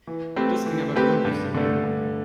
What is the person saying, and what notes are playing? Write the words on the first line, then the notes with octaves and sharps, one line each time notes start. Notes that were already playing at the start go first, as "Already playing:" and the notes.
Das ging aber gründlich daneben.
E3
A3 C4 G4 B4
E3
A3 C4 G4 B4
G2
D3 A3
G2